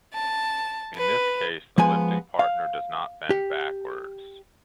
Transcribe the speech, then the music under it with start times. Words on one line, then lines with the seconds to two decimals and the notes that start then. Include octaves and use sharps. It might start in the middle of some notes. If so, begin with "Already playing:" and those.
In this case, the lifting partner does not bend backwards.
0.14 A5
0.98 B4
1.78 F3 G#3 B3 G#5
2.39 F5
3.30 G4